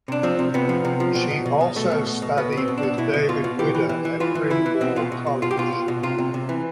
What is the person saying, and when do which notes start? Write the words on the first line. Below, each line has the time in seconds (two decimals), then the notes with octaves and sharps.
She also studied with David Widder at Bryn Mawr College.
0.08 C3 D4
0.23 F3 C4
0.39 C3
0.54 C3 B3
0.69 F3
0.85 C3
1.00 F3
1.15 B2
1.31 B2
1.46 B2
1.61 B2
1.76 B2 A3
1.91 B2
2.07 B2
2.22 B2
2.37 B2 B3
2.53 B2 C4
2.68 B2
2.78 D4
2.83 B2
2.98 B2 E4
3.14 B2
3.29 B2 F4
3.44 B2
3.59 E3 G4
3.75 E3
3.89 E3
4.05 E3
4.20 E3 F4
4.35 E3
4.50 E3 E4
4.66 E3
4.81 B2 C4
4.96 B2 F4
5.12 B2
5.27 B2
5.42 B2 F4
5.51 G4
5.57 B2 F4
5.73 B2
5.88 B2
6.03 C3 F4
6.19 C3
6.34 C3
6.49 E3